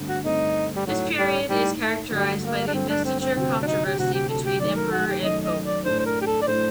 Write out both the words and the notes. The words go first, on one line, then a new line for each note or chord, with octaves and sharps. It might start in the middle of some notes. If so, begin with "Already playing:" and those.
This period is characterized by the Investiture Controversy between Emperor and Pope.
Already playing: G2 D3 A3 C4
F#4
G2 D3 A3 C4 D#4
G3
A2 F#3 A3 D#4
G3
A2 G3 A3 D#4
A3
G2 D3 F#3 G3 A3
A#3
D4
G2 D3 F#3 A3 C4
D4
C4
C4
D2 C3 F#3 C4
D4
D#4
G4
D2 C3 F#3 F#4
G4
A4
G4
F#2 D#3 A3 D5
A#4
F#4
G4
F#2 D#3 A3 D#5
D#5
D5
A2 A3 D4 C5
C5
A#4
G4
A4
D5
A2 A3 D4 C5